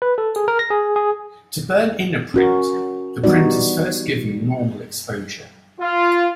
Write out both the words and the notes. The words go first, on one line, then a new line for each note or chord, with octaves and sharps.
To burn-in a print, the print is first given normal exposure.
B4
A4
G#4
A#4
A#6
G#4
G#4
C#4 F#4 A#4
E3 G3 B3 D#4 F#4 D5
F4